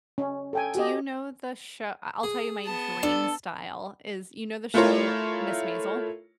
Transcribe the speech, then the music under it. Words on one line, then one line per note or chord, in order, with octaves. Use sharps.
Do you know the sho I I'll tell you my dream style is, you know the show "Miss Maisel"?
C#4
A4 G5 G#5
F#4 G4 D#5
G#4
B3 A5
D4 A4
A3 E4 F4 A4 A#4 C#5